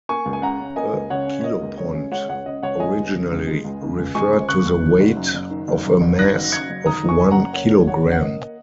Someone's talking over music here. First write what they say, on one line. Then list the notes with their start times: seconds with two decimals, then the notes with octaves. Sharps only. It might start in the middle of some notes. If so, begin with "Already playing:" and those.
A kilopond originally referred to the weight of a mass of one kilogram.
0.09 A#3 G#5 C#6
0.26 C#2
0.33 G#5
0.42 C#3 F#5 A#5
0.60 C#4
0.76 A#3 D#5 G#5
0.93 C#2
1.10 C#3 C#5 F#5
1.27 C#4
1.40 C#5
1.44 A#3 D#5
1.62 C#2
1.78 C#3 C#5
1.95 C#4
2.12 G#3 C#5 F#5
2.29 C#2 C#5 F#5
2.46 C#3 D#5
2.63 C#2 C#5 F#5
2.80 G#3 D#5 G#5
2.97 C#2
3.13 C#3
3.31 C#2
3.48 G#3
3.64 C#2
3.81 C#3
3.98 C#2
4.15 G#3 G#5 C#6
4.33 C#2
4.49 C#3 C#6 F#6
4.65 C#2
4.83 D#3
5.00 F#1
5.17 F#2
5.34 F#1
5.51 D#3
5.68 F#1
5.85 F#2
6.01 F#1
6.19 D#3 F#6 A#6
6.35 F#1
6.52 F#2 G#6 C#7
6.69 F#1
6.86 D#3 A#5 D#6
7.03 F#1
7.09 G#5 C#6
7.20 F#2 G#5
7.31 F#5 A#5
7.37 F#1
7.53 A#3 C#5 F#5
7.70 D#2
7.87 D#3 C#5 F#5
8.04 C#4
8.12 F#5
8.21 A#3 D#5